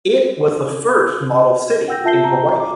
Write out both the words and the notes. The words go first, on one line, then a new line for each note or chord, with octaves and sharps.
It was the first model city in Hawaii.
F#5 G5 E6 G6 A#6
F4 E5 A5 G6 C7 G7
A#5
D6